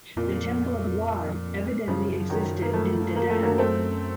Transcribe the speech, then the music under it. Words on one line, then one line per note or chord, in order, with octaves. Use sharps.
A temple of Wadd evidently existed in Dedan.
F2 A#2
F#2 C#3 F3
D#3 F#3
A#3
F3 A3
A#3
A3
F#3 A#3
A3 C4